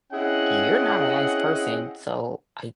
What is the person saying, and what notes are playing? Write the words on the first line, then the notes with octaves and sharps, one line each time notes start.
you're not a nice person, so I
C4 C#4 E4 G#4 D#5 F#5